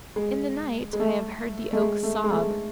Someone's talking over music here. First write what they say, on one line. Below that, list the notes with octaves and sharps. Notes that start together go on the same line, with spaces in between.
In the night I have heard the oak sob.
G#3
G#3
A3
A3
G#3
A3
G#3
A3
G#3